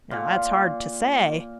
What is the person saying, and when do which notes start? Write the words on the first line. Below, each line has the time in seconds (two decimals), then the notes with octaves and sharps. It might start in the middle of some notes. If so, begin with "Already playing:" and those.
Now that's hard to say.
0.11 A#2